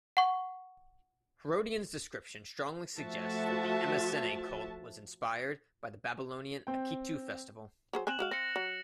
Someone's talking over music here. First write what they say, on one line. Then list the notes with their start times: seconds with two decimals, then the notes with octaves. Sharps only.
Herodian's description strongly suggests that the Emesene cult was inspired by the Babylonian Akitu-festival.
0.17 F#5 C#6
2.97 F3 A3 F#4 E5 A5
6.67 C4 G5
7.93 F#3 G#4 C5
8.07 C4 G5 G#5 F#6 E7 F#7
8.19 G#3 F#4 F5
8.31 C4 A#6 C#7
8.56 F#3